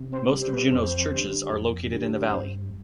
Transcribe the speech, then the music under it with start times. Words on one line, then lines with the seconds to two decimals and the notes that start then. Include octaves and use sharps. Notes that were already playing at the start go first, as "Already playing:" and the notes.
Most of Juneau's churches are located in the Valley.
Already playing: C3
0.12 C4 C5
0.33 G3
0.42 C5
0.53 B3 B4
0.72 F2 C4 C5
1.12 D3 G3
1.52 F2
1.91 D3 G3
2.31 G2 C4 C5